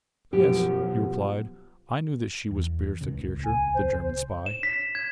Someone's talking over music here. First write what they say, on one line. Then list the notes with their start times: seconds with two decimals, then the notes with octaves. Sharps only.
"Yes," he replied, "I knew that she was Bertha Kircher, the German spy?"
0.33 F#2 B2 F3 G4
2.51 E2
3.01 D#1 C#2 C#3
3.45 G#5
3.74 C5
4.46 E7
4.63 B6
4.95 G#6